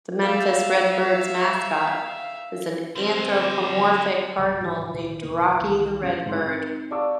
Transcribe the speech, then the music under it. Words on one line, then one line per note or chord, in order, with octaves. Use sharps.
The Memphis Redbirds' mascot is an anthropomorphic cardinal named Rockey the Redbird.
E5 F5
D3 F3 G3 C4
G1 C2 C#3 F#3
G#2 C3 D#3 E3
C#2 A#2 D#3 E3
D#2 A#2 C#3 A#3
C2 D#3 E3
A#1 F2 B2 C#4
G#2 C6
C4 D#4
D5 F5 A5 C#6 D6 E6